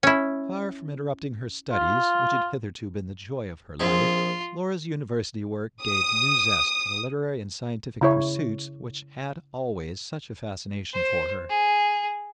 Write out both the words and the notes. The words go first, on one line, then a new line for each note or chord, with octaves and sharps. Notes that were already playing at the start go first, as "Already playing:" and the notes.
Far from interrupting her studies, which had hitherto been the joy of her life, Laura's university work gave new zest to the literary and scientific pursuits which had always such a fascination for her.
C#4 E4
F4
A#1 C4 F4 G#4
D#6
C#3 E4 C#5
C5
G#4